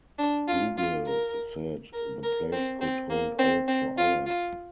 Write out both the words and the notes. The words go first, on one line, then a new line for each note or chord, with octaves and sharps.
Dougal said the place could hold out for hours.
D4
F4
F4
A#4
A#4
A#4
C4
C4
A#3
C4
C4
F4
F4